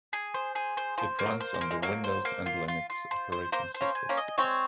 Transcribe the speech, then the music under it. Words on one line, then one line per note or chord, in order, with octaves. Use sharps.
It runs on the Windows and Linux operating systems.
G#4
C5
G#4
C5
F3 C5
A#3
F#3
C5
G#3
A#3
G#3
F#3 A#3
C5
A#3
F4
F4
F4
C5
C5
A#3 C5
C5
A#3 C#4
G#5
A#3 C#4
D#5
G#3 C4 C#5